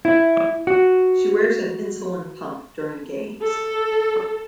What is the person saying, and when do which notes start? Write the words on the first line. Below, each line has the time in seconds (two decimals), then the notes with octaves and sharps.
She wears an insulin pump during games.
0.05 E4
0.67 F#4
3.42 A4